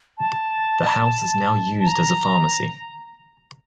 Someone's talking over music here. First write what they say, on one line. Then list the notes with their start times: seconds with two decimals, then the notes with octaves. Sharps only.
The house is now used as a pharmacy.
0.18 A5
1.79 A5
1.86 A#5